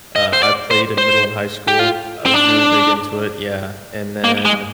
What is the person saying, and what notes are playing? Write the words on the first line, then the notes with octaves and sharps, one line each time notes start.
Uh, I played in middle and high school, I was really big into it, yeah, and then,
D#5
C5
D5
C5
C5
G4
F4
C4
D4
A#3
G#3